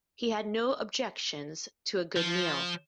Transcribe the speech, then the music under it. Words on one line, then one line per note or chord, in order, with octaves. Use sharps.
He had no objections to a good meal.
F3